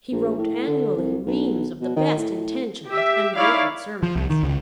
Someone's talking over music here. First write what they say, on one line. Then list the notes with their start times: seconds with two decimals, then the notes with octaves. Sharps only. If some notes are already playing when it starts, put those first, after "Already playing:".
He wrote annually reams of the best-intentioned and vapid sermons.
0.12 A#1
0.38 A2
0.67 D3
0.96 C2
1.26 B1
1.81 B2
1.96 D#3
2.17 A2
2.86 G4 E5
3.35 D#4 E4 C#5 D5 F5
4.03 F3
4.15 C2
4.30 D#3
4.43 C#2